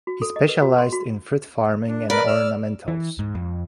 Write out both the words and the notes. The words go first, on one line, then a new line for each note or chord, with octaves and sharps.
He specialized in fruit farming and ornamentals.
F#4
A4
D#5
B4
F#4
C6
F#4
D4
A#4 B4 D5 B5
E6 F6
E3
G#2
F2